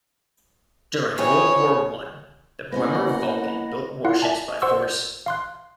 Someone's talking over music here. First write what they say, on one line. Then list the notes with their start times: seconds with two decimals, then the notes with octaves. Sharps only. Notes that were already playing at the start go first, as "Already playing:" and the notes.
During World War One the Bremer Vulkan built warships by force.
1.18 E3 C4 G#4 C#5
2.72 A#3 B3 C#4 E4 A#4 C5 D#5 F#5
4.04 E4 F4 F5 F#5 F#6
4.22 D5 E5 G#5 A5
4.62 C5 F#5 C6 C#6 E6
4.83 G6
5.26 F5 C6 F#6